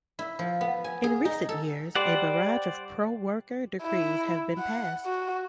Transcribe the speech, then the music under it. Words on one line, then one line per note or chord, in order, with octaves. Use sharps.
In recent years, a barrage of pro-worker decrees have been passed.
E4
F3
B3
G#5
G#4
D#4
A4
G3 C5 D5 F#5
E4
F#5
F#4